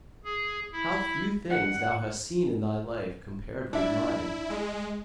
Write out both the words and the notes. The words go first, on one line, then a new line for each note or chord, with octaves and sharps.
How few things thou hast seen in thy life compared with mine.
G#4
E4
F#5
D4 E4 E5
G#3